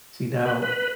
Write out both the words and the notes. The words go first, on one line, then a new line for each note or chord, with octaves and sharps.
see, now
B4
B4